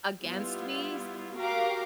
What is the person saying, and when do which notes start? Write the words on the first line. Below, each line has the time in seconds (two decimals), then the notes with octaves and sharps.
against me s
0.22 G3 B3 E4 F4
1.36 F#4 G4 A#4 F5 A#5 D6